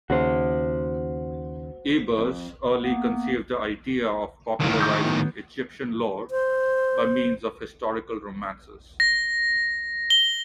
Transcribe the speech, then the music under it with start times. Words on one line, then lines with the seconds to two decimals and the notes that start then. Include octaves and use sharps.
Ebers early conceived the idea of popularizing Egyptian lore by means of historical romances.
0.10 D#2 C#3 F#4 C5
2.18 F2
2.79 A#3 B3
4.60 G1 C#2 A2 D#3
4.80 C#6 D6 G6
5.05 F#3 B3
6.31 C5
9.00 A#6
10.10 G7